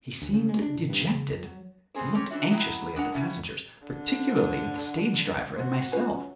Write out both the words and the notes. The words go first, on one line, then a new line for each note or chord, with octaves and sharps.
He seemed dejected, and looked anxiously at the passengers, particularly at the stage-driver and myself.
D2
C#3
G#3
D4
A2
G2
E1
C#3
F2
F#3
B2 G3 C4 G#4 C5
C4 C#4 C#5 D5
E3 D4 F#4 E5
F#3 D#4 E4 F#4 G5
G#3 D4 A#4 F#5
F#3 G3 C#4 E4
D3
F#4 C5
C#4 F4 B4 G#5